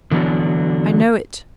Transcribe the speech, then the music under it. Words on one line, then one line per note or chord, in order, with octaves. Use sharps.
I know it.
D3 E3 F#3 B3 D4